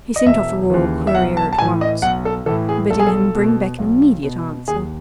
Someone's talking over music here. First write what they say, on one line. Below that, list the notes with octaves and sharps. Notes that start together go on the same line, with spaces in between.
He sent off a royal courier at once, bidding him bring back an immediate answer.
D#5
E1 E5
D#2 C#3 E3
E5
B1 F#5
A5
A5
A2 E3 G#5
D#5
B1 F#5
A4
A2 E3 A4
G#4
B1 A4
G#4
A4
B2
B1
B2
D#2 G#4